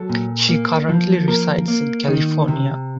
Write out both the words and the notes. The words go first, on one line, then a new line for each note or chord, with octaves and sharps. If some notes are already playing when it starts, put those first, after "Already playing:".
She currently resides in California.
Already playing: F#3 A4
A#2
A#3
F3
A#3 A#4
A#3
D#3
C3